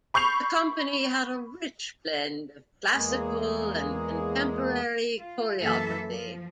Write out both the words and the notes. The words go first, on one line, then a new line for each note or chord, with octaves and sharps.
The company had a rich blend of classical and contemporary choreography.
B5 C#6 G6 C7 F7
E2 G#3 A#3 G#4
F4
F#2 E3 A#3 A4 E5
F3